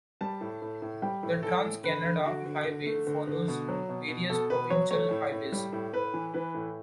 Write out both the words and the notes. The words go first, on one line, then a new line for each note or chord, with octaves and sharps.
The Trans-Canada Highway follows various provincial highways.
G3 A5
A2
A2
A2
G3 G5
A2
E3 A4
A2
D3 B4
D3
D3 F#4
D3
D3
A3
D3
D3
B2
F#3
B2
B2
B2 A4
B2 B4
F#3 C#5
A3 C#5
A2
A2
G3
A2
A2 B4
E3
E3 B4
A2